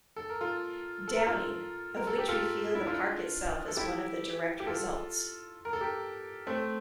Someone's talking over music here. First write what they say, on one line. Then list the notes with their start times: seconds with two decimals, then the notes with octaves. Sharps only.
Downing, of which we feel the Park itself is one of the direct results.
0.16 A4
0.30 A#4
0.41 F4 A4
1.08 A4
1.16 A#4
1.26 F4 A4
1.97 A#4
2.07 A4
2.18 G4
2.28 F4 A4
2.75 E4
2.86 D4 F4
3.68 A4
3.77 E4 G4
4.60 G4
4.67 F4 A4
5.65 A#4
5.73 A4
5.81 G4 A#4
6.47 A3 C4